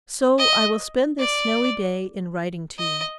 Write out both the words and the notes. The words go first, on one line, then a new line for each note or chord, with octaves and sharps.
So I will spend this snowy day in writing to you.
D#5
D5
D#5